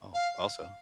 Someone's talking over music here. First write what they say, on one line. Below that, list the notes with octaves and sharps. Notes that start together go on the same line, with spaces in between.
Oh, also
F5